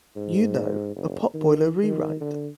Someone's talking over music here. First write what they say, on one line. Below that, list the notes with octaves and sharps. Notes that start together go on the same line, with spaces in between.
You know, a potboiler rewrite.
G#2
F#1
D#3
D#3
D3